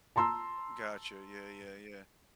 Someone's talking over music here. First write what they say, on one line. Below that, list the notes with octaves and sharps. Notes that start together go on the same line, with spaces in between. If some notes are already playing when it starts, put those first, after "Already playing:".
Gotcha, yeah, yeah, yeah.
A5 A#5 C6 E6